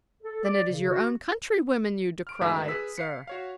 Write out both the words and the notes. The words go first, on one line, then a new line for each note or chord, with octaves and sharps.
"Then it is your own countrywomen you decry, sir!"
A4
D5
C#3
F#4
F6 D7
D2 G#2 B4 E5 A#5
G#4 B4 E6 B6
F5 C7 C#7
F#4 C#5 F5